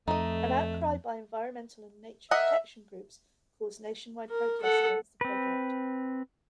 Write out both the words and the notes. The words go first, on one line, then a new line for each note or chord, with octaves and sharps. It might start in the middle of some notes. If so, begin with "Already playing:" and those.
An outcry by environmental and nature protection groups caused nationwide protests against the project.
F2 A3 D#4 D#5
A#4 D#5 E5 F#5
A#4
A4 F#5
C4 B4